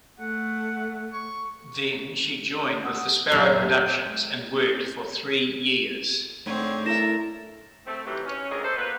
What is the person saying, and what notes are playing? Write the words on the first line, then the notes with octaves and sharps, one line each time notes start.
Then she joined with the Sparrow Productions and worked for three years.
A3 F#5
C#6
F#5 D#6 E6
D#1 F#2 G4
G#2 D3 A3 C4 C#5
E4 A4 A#4 E5 A#6 E7
A3 C4
C3 D#3 E3 F#3 A3 G4
C#4
D2 F3 A#3 C4 G#4 D#5
A4 C5
A#3 B3 F4 B4